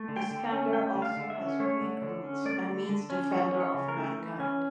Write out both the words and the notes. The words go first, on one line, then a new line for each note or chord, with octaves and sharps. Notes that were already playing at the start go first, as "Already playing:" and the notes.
Iskander also has Greek roots, and means Defender of Mankind.
Already playing: A3
D3
G5
D3
C#4
A3 G5
D3
F5
D3
E5
C#4
A3 C#5
D3
D3
C#4
A3 D5
D3
D3
C#4
E3 C#5
C#4
C#5
C#3
A#4
A3
E3
C#4